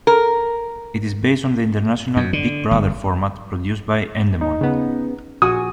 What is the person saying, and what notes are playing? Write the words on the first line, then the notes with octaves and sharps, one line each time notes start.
It is based on the international "Big Brother" format produced by Endemol.
A#4
F#2
D3
G1
D#4
C#3 B3
A#1 F#4 G#5 D#6